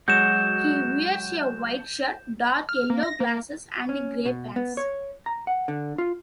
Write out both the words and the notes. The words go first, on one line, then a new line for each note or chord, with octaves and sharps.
He wears a white shirt, dark-yellow glasses and grey pants.
F#3 G#3 F#4 G6 E7
F6
A#3
A#6
A#3
C#4
B2
B3
C#5
A#5
F#5
D3
F4